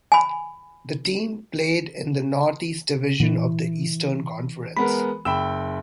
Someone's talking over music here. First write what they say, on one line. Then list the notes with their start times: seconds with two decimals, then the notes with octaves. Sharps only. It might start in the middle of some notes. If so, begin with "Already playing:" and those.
The team played in the Northeast Division of the Eastern Conference.
0.12 G#5 B5
3.20 A#2 E3
4.77 G#3 B3 A#4 B5
5.25 F#1 G5 B5 E6